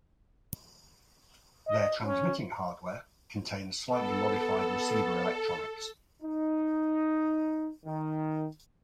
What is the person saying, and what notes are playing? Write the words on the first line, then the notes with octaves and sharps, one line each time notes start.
Their transmitting hardware contains slightly modified receiver electronics.
D#5
C#4
B3 A4
D#4
D#3